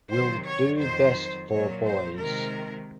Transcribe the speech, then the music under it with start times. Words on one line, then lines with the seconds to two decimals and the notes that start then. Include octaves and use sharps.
Will do best for boys.
0.11 C3 D#3 F#3 C5
0.46 C#5
0.80 F2 D#3 F#3 C5
1.50 A#2 F#3 C#5
1.84 C5
2.19 C3 D#3 G#3 A#4